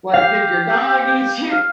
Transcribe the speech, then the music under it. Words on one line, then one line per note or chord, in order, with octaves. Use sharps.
Like, "Did your dog eat you?"
G4 F5
F5